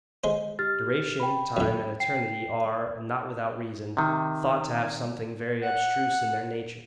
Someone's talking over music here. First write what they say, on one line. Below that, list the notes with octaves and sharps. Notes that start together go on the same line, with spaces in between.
Duration, time, and eternity, are, not without reason, thought to have something very abstruse in their nature.
G#3 C5
G4 F6 A6
G5 B5
F#2 A2
G5 C7
C3 D#3
F#5